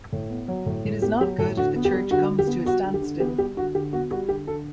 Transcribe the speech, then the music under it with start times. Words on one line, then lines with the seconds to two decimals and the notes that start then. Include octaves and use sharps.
It is not good if the Church comes to a standstill.
0.12 A2
0.30 B3
0.48 F#3
0.66 A2
0.85 A2
1.02 B3 G4
1.21 F#3 G4
1.38 A2 A4
1.57 D3 F#4
1.76 B3
1.85 G4
1.94 G3
2.11 D3 F#4
2.30 D3
2.39 G4
2.47 B3
2.65 G3 F#4
2.84 D3
2.94 G4
3.02 D3
3.20 B3 G4
3.38 G3 G4
3.56 D3 F#4
3.75 D3 G4
3.93 B3 F#4
4.11 G3 F#4
4.29 D3 G4
4.47 D3 A4